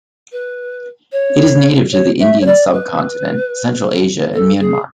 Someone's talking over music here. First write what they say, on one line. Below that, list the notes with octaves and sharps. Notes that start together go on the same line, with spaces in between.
It is native to the Indian subcontinent, Central Asia and Myanmar.
B4
C#5
C#5
E5
C#5
D5
B4
A4
G#4